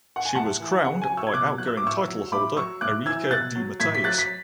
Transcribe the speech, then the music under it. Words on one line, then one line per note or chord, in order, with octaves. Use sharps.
She was crowned by outgoing titleholder Erica De Matteis.
F#5
G#5
A2 F#5 A5
E3
C#3 F#5
G#5
F#3
C#6 E6
G#6
B2 D6 F#6
F#3 F#6
E6
D6
A2 C#6 E6
F#3
A2 B5 D6
F#3 C#6 E6
A2 D6 F#6
E3 E6 G#6
B2 F#6 A6
F#3
A2 G#6 B6
B6
F#3 F#6 A6
B6